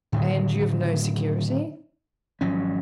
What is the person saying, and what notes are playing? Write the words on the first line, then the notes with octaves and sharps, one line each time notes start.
"And you've no security?"
A2 D3 D#3 F#3
G#1 F3 F#3 C#4